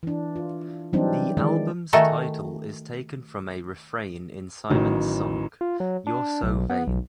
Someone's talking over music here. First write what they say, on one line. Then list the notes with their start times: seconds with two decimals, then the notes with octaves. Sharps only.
The album's title is taken from a refrain in Simon's song You're So Vain.
0.03 E3 D4
0.36 F4
0.93 E3 F#3 G3 C4 D4 D#4
1.37 D#3 E3 G#3 D5
1.93 D#3 A3 D#4 F#4 G#4 A4
4.69 A1 D#3 F#3
5.61 F4
5.80 F#3
6.07 D4
6.43 B1
6.70 B3
6.87 B1